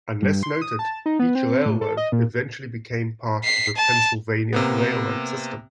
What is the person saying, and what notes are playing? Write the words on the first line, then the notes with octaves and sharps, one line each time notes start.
Unless noted, each railroad eventually became part of the Pennsylvania Railroad system.
G2
C6
D#6
A5
D#4
B3
C4
A2
A4
D#5
A#2
B6 C7
A5
C3 A#3 B3